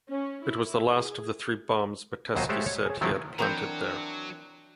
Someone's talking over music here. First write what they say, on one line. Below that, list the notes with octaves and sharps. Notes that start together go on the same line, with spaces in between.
It was the last of the three bombs Metesky said he had planted there.
C#4
E4
G#4
D#2 B2 F#3 C5 D#5 A5
G#3 A3 G4 C5 C#5 E5
C#5
G#4 C#5
D#3 F3 F#3 A3 C4 E4
E3 F#3 C4 D4 A#4 A#5 G6